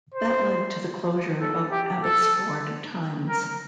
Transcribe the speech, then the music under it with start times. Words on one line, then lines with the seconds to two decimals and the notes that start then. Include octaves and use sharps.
That led to the closure of Abbotsford Times.
0.14 C5
1.40 A4
1.71 G4
2.03 A4
3.29 A#4